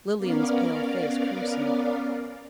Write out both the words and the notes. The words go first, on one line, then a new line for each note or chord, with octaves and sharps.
Lilian's pale face crimsoned.
B3 C#4 A#4 D5 F5